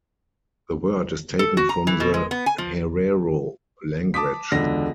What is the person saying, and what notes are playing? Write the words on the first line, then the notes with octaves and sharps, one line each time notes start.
The word is taken from the Herero language.
A4
F#4
A#5
E3
B2
G#3
B3
G#5
F3
A5 D6 D#6 B6
E1 C#2 D3 A#6